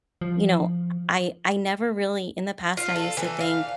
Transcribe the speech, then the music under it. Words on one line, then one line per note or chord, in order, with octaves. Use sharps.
you know, I I never really In the past, I used to think,
F3
F4
A4
E3
F5